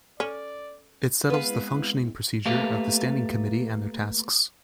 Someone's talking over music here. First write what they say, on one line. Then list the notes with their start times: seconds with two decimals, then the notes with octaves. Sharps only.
It settles the functioning procedure of the Standing Committee and their tasks.
0.20 C#4 A4 D5
1.30 G#3 B3 C4 E4 G#4 B4 F5
2.45 A3 A#3 G4 A4 B4 F5